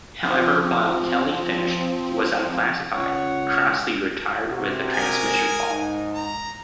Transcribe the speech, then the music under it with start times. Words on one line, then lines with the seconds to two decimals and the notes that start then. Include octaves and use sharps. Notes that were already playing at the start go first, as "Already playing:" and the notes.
However, while Kelly finished, he was unclassified; Crossley retired with a transmission fault.
0.23 F3 C4
2.92 C#2 C#5 F#5
4.47 C3 F#4
4.94 G#4 A#4 G#5
5.67 G#2 D#4
6.14 A#5